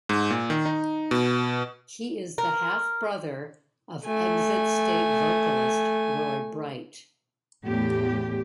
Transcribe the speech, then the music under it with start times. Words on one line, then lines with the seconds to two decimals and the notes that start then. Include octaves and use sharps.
He is the half-brother of Exit State vocalist Roy Bright.
0.09 G#2
0.30 A#2
0.50 D#3
0.66 D#4
1.11 B2
2.38 A#4
4.05 A3 G#5
7.66 E2 A2 G4